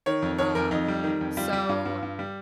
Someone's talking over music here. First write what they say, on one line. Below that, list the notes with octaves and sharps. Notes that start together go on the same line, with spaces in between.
Um, so,
D#3 C#5
F2
D#3 C#5
F2 A#4
F2 D#4
G3
D#3
F2
G3 F4
G3
G2 F4
G2
G2
G3